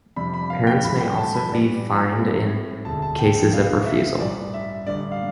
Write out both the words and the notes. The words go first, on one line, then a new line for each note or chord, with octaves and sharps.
Parents may also be fined in cases of refusal.
F2 C3 G3 D4 B5
B5
F5
G5
A1 G2 E3 A3 B5
G5
A5
B5
G2 E3 G3 B3 D4
A2 G3 C4
E1 D2 D3 A5
A5
G5
G5
C2 B2 G3 B3 F5
E5
A1 G2 E3 D5
E5
A1 G2 D3 D5
F5